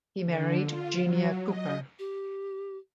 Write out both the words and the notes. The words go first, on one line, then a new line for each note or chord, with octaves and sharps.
He married Genia Kuper.
D3
F4
F#3
D#5
G4